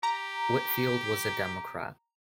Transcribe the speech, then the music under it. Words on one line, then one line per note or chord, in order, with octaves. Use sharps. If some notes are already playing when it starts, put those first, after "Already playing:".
Whitfield was a Democrat.
G4 A#5